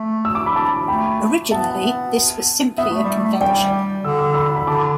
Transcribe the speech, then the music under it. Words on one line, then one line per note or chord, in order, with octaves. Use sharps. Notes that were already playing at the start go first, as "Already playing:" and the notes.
Originally this was simply a convention.
Already playing: A3
E6
D6
B5
A5 D6
A3 G5 B5
B3 E5 A5
B3 E5
A3
G3
A3
G3 D5 G5
D3 E6
E6
B5 E6
B5
D3 A5 D6